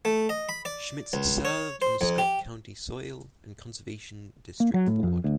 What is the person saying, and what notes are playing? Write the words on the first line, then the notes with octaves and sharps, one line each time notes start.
Schmitz served on the Scott County Soil and Conservation District Board.
A3
D#5
B5
D5
C#2
C#5
C5
F2
G4
A#3
F#3
A2
F2
D2